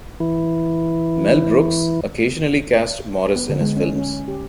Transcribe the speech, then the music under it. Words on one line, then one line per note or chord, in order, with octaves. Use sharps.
Mel Brooks occasionally cast Morris in his films.
E3 E4
B3
D3
G#3
C#4
C#4
G4